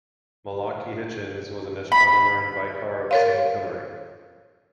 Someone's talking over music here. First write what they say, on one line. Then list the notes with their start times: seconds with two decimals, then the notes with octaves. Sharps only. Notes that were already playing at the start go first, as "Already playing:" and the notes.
Malachy Hitchins was an astronomer and Vicar of Saint Hilary.
1.92 B5
3.11 A#4 C#5 F5